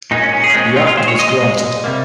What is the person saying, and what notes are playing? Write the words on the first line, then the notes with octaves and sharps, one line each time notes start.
The Act was granted.
A#2 G#3 D#4
C#4
C#4
G#4
C#4
A#2 G#3 C4
C#4
F4
F4
A#2 G#3 C5
C#5
D#5
D#5
A#2 G#3
C3 G3 A#3